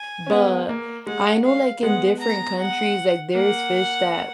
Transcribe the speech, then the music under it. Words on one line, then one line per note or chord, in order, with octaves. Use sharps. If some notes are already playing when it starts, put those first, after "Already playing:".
but I know like in different countries, like there's fish that
Already playing: G#5
C#4
G#3 B3
A#3
G#3 F#5
F5
G#3 B3 F#5
A#5
F#5
A#3 F#5